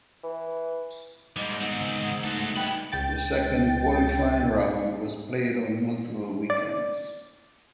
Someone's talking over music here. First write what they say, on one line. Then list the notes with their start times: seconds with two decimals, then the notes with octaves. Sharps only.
The second qualifying round was played on multiple weekends.
0.23 E3
1.36 G#2 G3 A#3 D#5
1.61 D#3 B3 C4 F#5
1.81 C#3 F#5
2.24 A3 D#4 F#4 A4
2.57 G2 G#3 A#3 G5 B5
2.92 C#2 G5 A6
6.50 D5